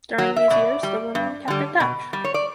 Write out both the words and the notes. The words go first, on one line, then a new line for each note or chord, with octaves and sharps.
During these years, the women kept in touch.
F#3
E5
B2 D5
G3
G2
D3 G3
B2
G3
C#5
D5